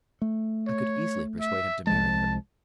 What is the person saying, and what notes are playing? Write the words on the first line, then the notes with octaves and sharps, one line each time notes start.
I could easily persuade him to marry her.
A3
C#5
E5
C2 F3 G#3 A5